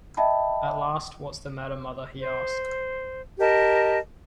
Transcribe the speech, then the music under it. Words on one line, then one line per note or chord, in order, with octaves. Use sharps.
At last: “What’s the matter, mother?” he asked.
D#5 E5 G5 A5 B5
C5
G4 A#4 D#5 A5